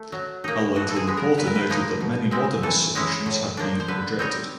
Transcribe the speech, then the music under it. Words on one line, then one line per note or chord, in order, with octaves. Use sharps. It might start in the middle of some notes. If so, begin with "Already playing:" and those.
A local reporter noted that many "modernist" submissions had been rejected.
Already playing: A3
F#3
A#3 D#4
B2 F#4
A4
G#4
G#3 B3
A#4
A#2 B4
A#4
B4
F3 A#3 D#4
B2
G#3 C4 E4
E3 A4
G#3 C#4 E4
A2
F3 A#3 D4
C5
D3 B4
G3 C4 D#4 C#5